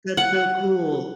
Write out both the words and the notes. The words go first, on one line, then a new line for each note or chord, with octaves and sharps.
That's so cool.
F#5